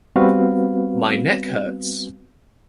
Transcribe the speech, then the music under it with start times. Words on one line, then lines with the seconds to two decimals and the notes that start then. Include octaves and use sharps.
My neck hurts.
0.16 G3 B3 C4 F#4 B4 F5